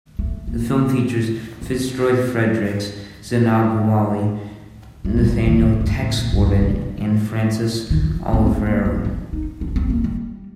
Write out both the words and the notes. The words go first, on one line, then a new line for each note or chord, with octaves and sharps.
The film features Fitzroy Fredericks; Zeinab Wali; Nathanial "Tex" Gordon; and Frances Olivero.
A3
A#3
C4
A3
G3
F3
D#3
C3
G2
A2
A#2
G2
G2
C3
D#3
F3
C4
C4
A#3
C4
D4
D#4
D4
C4
A#3
G3